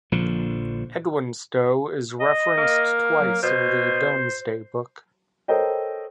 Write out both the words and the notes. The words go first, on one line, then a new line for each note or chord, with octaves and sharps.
Edwinstowe is referenced twice in the Domesday Book.
A#1 D3 F3
D#5
A#3
F#3
B2 C5
A4 A#4 C5 C#5 D#5 G5